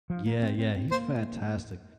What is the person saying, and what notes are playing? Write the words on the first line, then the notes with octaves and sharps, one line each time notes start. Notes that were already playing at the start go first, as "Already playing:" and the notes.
Yeah, yeah, he's fantastic.
F3
A#3
C4
C4
C4
A#3 C5